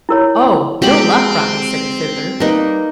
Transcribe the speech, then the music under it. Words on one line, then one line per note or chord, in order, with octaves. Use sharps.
"Oh, Ill-Luck brought me," said the Fiddler.
E4 A#4 C#5
G#3 C4 F#4 G4 B5
G3 A#3 D#4 B4 D#5